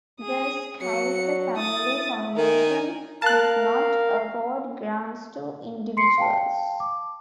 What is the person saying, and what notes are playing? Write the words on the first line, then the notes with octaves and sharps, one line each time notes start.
The Scaife Family Foundation does not award grants to individuals.
G#4 D#6
F#3 C#7
E4 D#6 A6
D#3 A#4 G#5
A#4 F5 A5 F#6
C6 C7 C#7
F5 G5 A5
D6